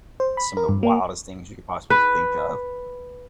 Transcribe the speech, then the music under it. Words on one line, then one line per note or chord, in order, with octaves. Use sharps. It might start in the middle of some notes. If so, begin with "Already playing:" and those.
some of the wildest things you could possibly think of,
C5
B5
A#4
G2
A#3
B4